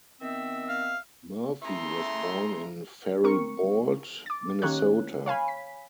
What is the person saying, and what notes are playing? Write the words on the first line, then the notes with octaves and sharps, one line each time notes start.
Murphy was born in Faribault, Minnesota.
D#3 B3 C4 E5
F5
C#3 A3 E4 A#5 C6
C4 A#4 C#6 C#7
D6 A6
D#3 A#3 C#4 G4 C#5 F#6
C#5 F5 G#5 B5
B6